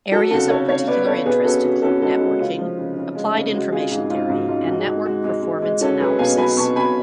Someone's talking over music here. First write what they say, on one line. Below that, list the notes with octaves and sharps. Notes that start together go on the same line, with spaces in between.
Areas of particular interest include Networking, Applied Information Theory and Network Performance Analysis.
F#3 F#4 A4
C#3 F#4 A4
C#3 A4 C#5
C#3 C#5 F5
B3 B4 D5
B3 A4 C#5
B2 G#4 B4
C#4 F#4 A4
B2 F#4
C#4 F#4 A4
G#3 F#4 A4
G#3 F#4
C#3 F4
F3
C#3
C#3
G#3
C#3
G#3 F#4
G#3 F4 G#4
G#2 F#4
G#2 F4
G#2 F#4
G#2 F4
G#2 F#4
G#4
G#2 F#4
G#3 F#4
G#3
G#3
G#3
C#4 F#4 A4
F#3 G#4 B4
B2 F5 G#5
F#3 G#5 B5
B2 A5 C#6
B2 G#5 B5